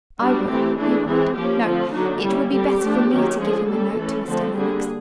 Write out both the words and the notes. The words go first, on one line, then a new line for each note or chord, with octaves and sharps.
I will--you might--no! it would be better for me to give him a note to Mr. Lennox.
G3 B3 D4 F#4
E3 A3 C4 G4
E3 A3 D4 G#4
E3 G#3 C4 G#4
F3 A#3 C#4 G4
D3 F3 A3 C4 F4
D3 F#3 A#3 D4 D#4
G3 A#3 C#4 E4
D3 G3 C4 G4
F3 A3 D4
D#3 F#3 A#3 C#4
D3 F3 G#3 G#4
G3 A#3 C#4 A4
E3 A3 C#4
D3 F3 A3 C4 A4
D3 G3 A#3 G#4